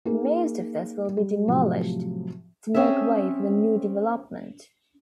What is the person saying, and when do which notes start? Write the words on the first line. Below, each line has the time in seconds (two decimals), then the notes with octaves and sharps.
Most of this will be demolished to make way for the new development.
0.05 A#3 D#4 G#4 A#4
1.17 G3
1.48 A2 C3 F3 F#3
2.74 C4 C#4 G#4 C5 E5